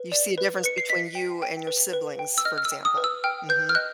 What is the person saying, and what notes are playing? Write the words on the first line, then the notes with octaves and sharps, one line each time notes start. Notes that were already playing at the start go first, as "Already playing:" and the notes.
You see a difference between you and your siblings, for example. Mhm.
Already playing: B4
D5
B4
B4 C#7
C7
D#5 B6
G5
G5
B4
B4
G5
E6
D#5 F6
F6
E6
G5
D#6
B4
E6
G5 F6
B4 G6
F6
D#5 F#6